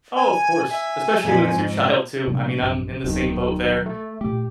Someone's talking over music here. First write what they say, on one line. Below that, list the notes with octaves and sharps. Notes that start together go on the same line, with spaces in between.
Oh, of course. Especially when it's your child, too. I mean, I'm in the same boat there.
G#5
E5 G#5
F2 A#2 F3
G#2
A#1 C3 G3 A#3
A1 F#2
D1 B1 F2 D#3
A3
A#2 A3 G4